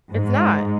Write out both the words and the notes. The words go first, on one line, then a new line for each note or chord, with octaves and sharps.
It's not,
G#2